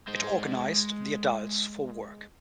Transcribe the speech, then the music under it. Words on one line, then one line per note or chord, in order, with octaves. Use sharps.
It organized the adults for work.
G#3 C5